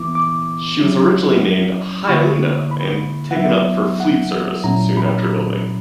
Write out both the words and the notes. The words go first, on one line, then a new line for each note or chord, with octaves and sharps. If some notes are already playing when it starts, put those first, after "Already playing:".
She was originally named "Hyalina" and taken up for Fleet Service soon after building.
Already playing: E3 B3 E4 D6
D6
F#3 C#4 E4
D3 A#3 E4 C#6
B5
F#5
F#3 B3 E4 E5
F#5
A#2 F#3 C#4 E4 A#5
B5